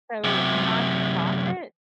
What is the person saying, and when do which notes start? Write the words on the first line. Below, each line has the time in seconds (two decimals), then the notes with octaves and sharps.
So a non-for-profit?
0.24 F#2 C3